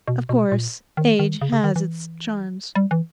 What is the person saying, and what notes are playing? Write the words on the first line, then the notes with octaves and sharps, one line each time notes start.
Of course, age has its charms.'
B2
B2
A#2
D#3
D#3
C#3
C#3
D#3
E3
G3
E3